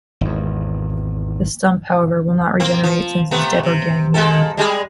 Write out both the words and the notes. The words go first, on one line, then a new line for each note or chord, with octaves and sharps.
The stump, however, will not regenerate since it is dead organic matter.
G#1 E2
A#3 C4
F3
C3 A3 B3
C3
G#3 A#3 A4
G3 G#3 G#4